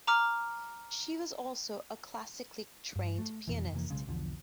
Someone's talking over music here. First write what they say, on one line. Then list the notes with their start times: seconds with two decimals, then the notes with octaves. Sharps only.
She was also a classically trained pianist.
0.07 A#5 D6 F6
2.96 G2
3.18 A3
3.48 F2 B2 E3
3.72 F2 C3 E3 A#3
3.89 B1 C#3 G#3
4.07 B1 E2 D3 F3